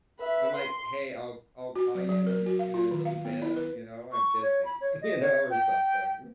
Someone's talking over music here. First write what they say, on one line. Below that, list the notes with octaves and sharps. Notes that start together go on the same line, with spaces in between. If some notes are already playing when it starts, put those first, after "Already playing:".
I'm like, "Hey, I'll I'll call you in a m in a little bit, you know, I'm busy," you know, or something.
B4 E5
C6
F#4
F#3
F#3
A#4
F#4
F5
F4
D#3
F5
B3
E4
B4
C#6
C#5
B5
C#5
D#5
C#5
G5